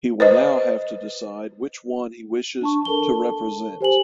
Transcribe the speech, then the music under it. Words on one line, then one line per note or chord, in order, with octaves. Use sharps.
He will now have to decide which one he wishes to represent.
B4 C5 D#5
D4 A5 C#6
A4 A#4 A5 G7
G4 C5 G#5 F#7